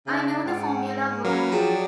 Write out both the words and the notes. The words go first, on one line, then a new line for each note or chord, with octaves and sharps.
I knew the formula worked.
C#3 D4 D#4 E5
G#2 F#5 G5
F#3 A#3 C#4 B4 A#5
F3 D4 G#4 G5